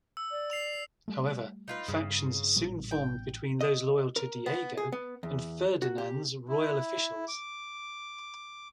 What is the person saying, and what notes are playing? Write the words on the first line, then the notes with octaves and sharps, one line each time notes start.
However, factions soon formed between those loyal to Diego and Ferdinand's royal officials.
E6
D5
C7 F7
G3 A3
D#4 F4 B4
G2 C#3
A1 A#2 G3
G5
D#5
A#4
B3
G#4
B3
E2
F#4
G4
E4
D6